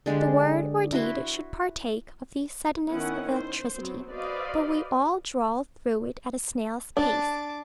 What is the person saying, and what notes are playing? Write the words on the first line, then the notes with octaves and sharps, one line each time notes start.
The word or deed should partake of the suddenness of electricity; but we all drawl through it at a snail's pace.
D3 G#3 D4 G4
E4 F#4 B4 C6
D#3 B3 C#4 D#4 E4 F#5
C5
F#3 B3 C4
F#4 B4 C5 D5 D#5 F5
D4 A5 D6